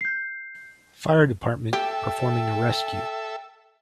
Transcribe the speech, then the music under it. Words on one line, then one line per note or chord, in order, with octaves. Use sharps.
Fire department performing a rescue.
G6 C7
G4 A4 E5 G5